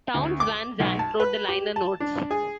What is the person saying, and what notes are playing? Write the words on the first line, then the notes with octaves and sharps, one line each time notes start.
Townes Van Zandt wrote the liner notes.
D2
D6
B1
A5
B4
G4
A5
D4
G#4